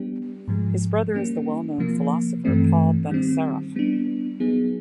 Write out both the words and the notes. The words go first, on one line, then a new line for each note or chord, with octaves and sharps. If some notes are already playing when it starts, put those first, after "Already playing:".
His brother is the well-known philosopher Paul Benacerraf.
Already playing: G3 B3 D4 G4
G#2 F3 G#3
G3 A#3 C#4
C3 F3 A#3
G2 E3 A3 C4
D#3 G3 C4
G3 B3 D4
F#3 B3 D#4 G#4